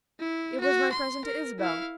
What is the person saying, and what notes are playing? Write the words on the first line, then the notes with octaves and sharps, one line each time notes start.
"It was my present to Isabel."
E4
F#4
C6
A#4
E4 F5